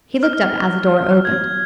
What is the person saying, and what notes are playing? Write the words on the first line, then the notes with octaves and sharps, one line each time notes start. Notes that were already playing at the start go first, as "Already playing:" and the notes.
He looked up as the door opened.
F6
G#6